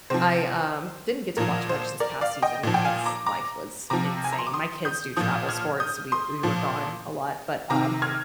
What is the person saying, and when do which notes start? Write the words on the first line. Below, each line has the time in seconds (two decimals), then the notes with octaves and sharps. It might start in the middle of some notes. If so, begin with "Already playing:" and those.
I um, didn't get to watch much this past season 'cause life was insane. My kids do travel sports, we we were gone a lot, but, um,
0.10 C3 F3 C5
1.37 A#2 F3 A#4
1.69 C5
2.00 A#4 D5
2.21 D5 F5
2.42 D#5 G5
2.63 A#2 F3
2.74 G5
2.85 F5 G#5
3.05 A#5 D6
3.26 A#5 D6
3.90 C3 F3 A#5 D6
4.24 G#5
4.32 A#5
4.38 C6
4.47 D6
4.53 C6 D#6
4.85 D#6 G6
5.17 A#2 F3 D#6 G6
5.49 F6 G#6
5.80 D#6 G6
6.12 C6 D#6
6.43 A#2 F3
7.70 C3 D#3 A#5 D6
8.02 F6 G#6